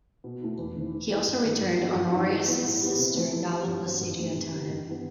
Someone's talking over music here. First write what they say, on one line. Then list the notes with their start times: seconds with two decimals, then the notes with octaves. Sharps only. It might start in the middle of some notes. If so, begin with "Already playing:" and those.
He also returned Honorius' sister Galla Placidia to him.
0.24 B2
0.42 A3 E4
0.58 E2
0.75 D#3 A3 C4 E4
0.93 E3
1.10 B3 E4
1.27 G2
1.44 D#3 F#3 B3
1.61 G2
1.78 E3 B3 F#4
1.95 G2
2.12 F#3 C4 D#4 F#4
2.30 E3
2.47 B3 E4
2.64 A2
2.81 G3 B3
2.99 C3
3.15 E3 A3 C4
3.33 E3
3.50 G3 C4
3.67 G2
3.84 F#3 C4 F#4
4.01 G2
4.19 E3 A3 D#4
4.35 C3
4.52 D#3 G3
4.69 G2
4.87 E3 G3 B3